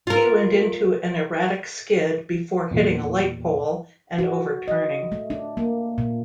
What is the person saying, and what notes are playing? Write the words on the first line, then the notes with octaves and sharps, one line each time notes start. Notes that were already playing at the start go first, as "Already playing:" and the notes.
He went into an erratic skid before hitting a light pole and overturning.
F4 A#4
E2 A#2
F#4
D#5
A3
D4
A#3
A#2